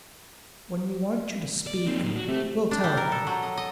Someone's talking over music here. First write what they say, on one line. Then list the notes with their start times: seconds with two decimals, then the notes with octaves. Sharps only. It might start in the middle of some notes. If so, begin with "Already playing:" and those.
"When we want you to speak we'll tell you."
1.67 D5
1.86 D#2 C4 C#4
2.04 A2 F#3
2.15 F#4
2.28 C3 A3
2.71 D4
2.84 G3
2.97 A#4
3.12 A4
3.27 F#3
3.43 D#5
3.57 D#5